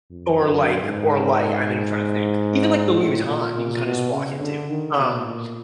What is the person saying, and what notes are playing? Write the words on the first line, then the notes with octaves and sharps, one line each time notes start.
Or like or like, I mean, I'm trying to think even, like, the Louis Vuitton, you can kind of just walk into. Um,
F2
F#2
G#2
A2
A#2
A#2
B2
C#3
D3
D#3
B2
A#2